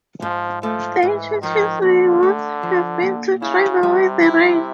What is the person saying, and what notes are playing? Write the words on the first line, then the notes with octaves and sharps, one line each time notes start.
The intention may once have been to drive away the rain.
G#2 F3
F3 A3
G#2 E3
D#3 F3
A#2 D3
A3
F3
A#2
C#3 E4
C3 G3
E4